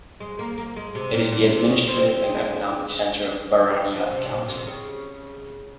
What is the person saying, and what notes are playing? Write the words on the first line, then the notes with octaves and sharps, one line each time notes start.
It is the administrative and economic centre of Baranya County.
G#3
A#3
A#3
G#3
C3
A#2
A#2
C3
C#3
C4
C4
G#3
F3
C3
A#2
C3
D#3
C#3